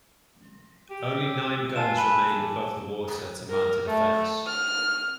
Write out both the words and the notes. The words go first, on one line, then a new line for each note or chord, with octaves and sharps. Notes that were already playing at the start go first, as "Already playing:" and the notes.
Only nine guns remained above the water to mount a defense.
G4
E6
F4 G#5 A5 E7
B4
A#3
A#4
A3
F6